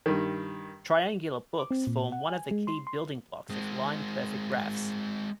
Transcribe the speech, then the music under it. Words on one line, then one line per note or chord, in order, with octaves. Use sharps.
Triangular books form one of the key building blocks of line perfect graphs.
G2 D#3
D6
C4
A#2
F#5
G#5
G#3
C6
C6
G#3 C4